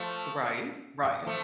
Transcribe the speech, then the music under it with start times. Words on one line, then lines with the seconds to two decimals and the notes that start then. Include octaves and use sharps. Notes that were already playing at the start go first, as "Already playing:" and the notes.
Right, right.
Already playing: F3 A3
1.26 F3 A3